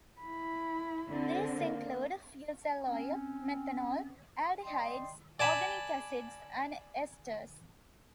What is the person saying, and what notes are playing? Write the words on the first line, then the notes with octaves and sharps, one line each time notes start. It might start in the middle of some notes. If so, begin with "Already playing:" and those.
These include fusel oil, methanol, aldehydes, organic acids and esters.
E4 B5
D3 C4
A#3
C4 C#4
D5 D#5 G5 C6
D5 G#5 A5 B5